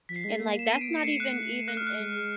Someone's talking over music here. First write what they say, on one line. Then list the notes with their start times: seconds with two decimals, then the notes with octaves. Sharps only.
and, like, that's not even even in
0.09 F3 B6
0.16 C7
0.24 G#3 B6
0.40 A#3
0.59 E7
0.70 B3 D#7
0.81 D7
0.88 A#3 C#7
1.04 A3 C7
1.20 F#6
1.68 F#6
1.77 F6
1.87 F#6
1.99 G#3